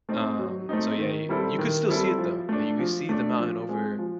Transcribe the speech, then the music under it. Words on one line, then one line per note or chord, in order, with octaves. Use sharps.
Um, so yeah, you, you could still see it though, like, you could see the mountain over
A3 C4 D#4
F#3
A3 C4 D#4
D#3
G3 C4 E4 A4
D#3
G3 C4 E4 A4
F3
A3 D4
F3
A3 D4
F3
G#3 C4
F3